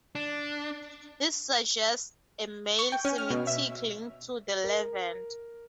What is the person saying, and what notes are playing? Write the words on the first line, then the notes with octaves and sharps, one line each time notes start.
This suggests a male Semitic link to the Levant.
D4
C#6
G5
C#4
F6
B2
E5
A#4